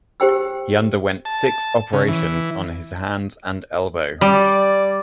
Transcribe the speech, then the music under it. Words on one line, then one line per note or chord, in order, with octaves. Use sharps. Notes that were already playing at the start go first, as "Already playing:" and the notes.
He underwent six operations on his hands and elbow.
G4 C5 G5 E6
A5
C#3
E3
G3 D5